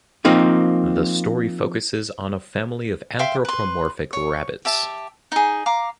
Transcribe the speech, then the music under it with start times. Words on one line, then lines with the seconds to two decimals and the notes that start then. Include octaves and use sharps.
The story focuses on a family of anthropomorphic rabbits.
0.25 F3 A#3 C4 D#4 F4
3.19 E5 F5 G5 C6
3.45 B4 C6
4.13 C#5
4.65 G4 E5 A5
5.32 D#4 G#4
5.66 F5 A#5 D6